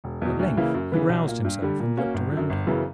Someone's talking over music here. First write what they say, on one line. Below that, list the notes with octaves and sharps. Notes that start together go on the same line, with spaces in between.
At length he roused himself and looked around him.
E1
E2 B2
D2
C#3 E3 A#3 E4
F#2
C#3 E3 B3
B1
A#2 A#3
G2
D3 G3
A#2
A#3 C#4 F#4
G1
F#2 D3
G1
F#2 C#3 E3 B3